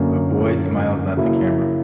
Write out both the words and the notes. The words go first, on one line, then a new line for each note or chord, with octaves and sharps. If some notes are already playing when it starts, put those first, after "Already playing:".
A boy smiles at the camera.
Already playing: F#2 D3 A#3
C#3 F#3 A#3 E4